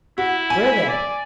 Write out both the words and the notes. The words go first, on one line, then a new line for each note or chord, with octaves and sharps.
Where then?
E4 F#4
G#5
D5